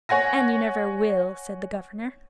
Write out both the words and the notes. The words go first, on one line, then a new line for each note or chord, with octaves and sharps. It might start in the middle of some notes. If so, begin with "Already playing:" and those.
"And you never will," said the governor.
C#5 F#5 G#5 A#6